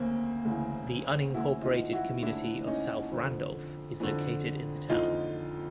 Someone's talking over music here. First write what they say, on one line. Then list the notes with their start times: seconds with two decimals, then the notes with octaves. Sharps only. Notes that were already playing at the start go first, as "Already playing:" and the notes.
The unincorporated community of South Randolph is located in the town.
Already playing: D2 C#3 A#3 C4
0.45 D2 C#3 E3
1.34 D2 C#3 E3 E4 F#4
1.63 D#4 F4
1.93 E4 F#4
2.23 D2 C#3 E3 D4 E4
2.67 C#4 D#4
3.11 F2 D3
4.00 F2 D3
4.90 F2 D3 D#4 F4